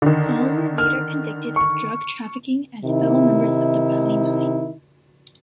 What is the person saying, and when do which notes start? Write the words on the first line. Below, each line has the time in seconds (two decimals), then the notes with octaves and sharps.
All were later convicted of drug trafficking as fellow members of the Bali Nine.
0.02 D3 D#3
0.78 F6
1.56 C#6
2.85 C3 D#3 D#4 E4